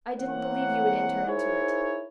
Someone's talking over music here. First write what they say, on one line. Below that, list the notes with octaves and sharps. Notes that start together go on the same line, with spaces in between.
I didn't believe you would enter into it.
E3 A#3 C4 A#4 C#5 F#5
D#4 E4 G#4 A#4 C5 C#5